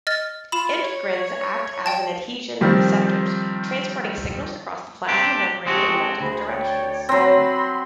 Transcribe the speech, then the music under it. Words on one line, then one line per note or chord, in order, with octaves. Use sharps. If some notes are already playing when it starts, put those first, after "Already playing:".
Integrins act as adhesion receptors, transporting signals across the plasma membrane in multiple directions.
D#5 F6 A6
F4 B5 E7
C#5
D5 G5 A5
D#3 F3 G3 C4
C4 D4 G4
G#3 C4 F#4 G4 A5
D2 G#4 C5 B5
C#5 D5 G5
F#3 C4 B5 C6